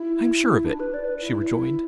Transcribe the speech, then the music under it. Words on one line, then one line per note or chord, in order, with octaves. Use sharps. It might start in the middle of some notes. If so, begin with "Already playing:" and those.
"I am sure of it," she rejoined.
Already playing: E4
D4
B4
D5
B4
E4